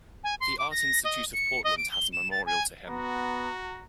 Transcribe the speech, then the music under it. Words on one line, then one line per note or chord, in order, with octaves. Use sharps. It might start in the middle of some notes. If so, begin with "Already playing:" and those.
The Art Institute of Portland has a memorial to him.
G#5
C6
D6
A#6
D#5
C#7
D#5
D7
G7
E7
A6
G#5
B3 F#4 A#5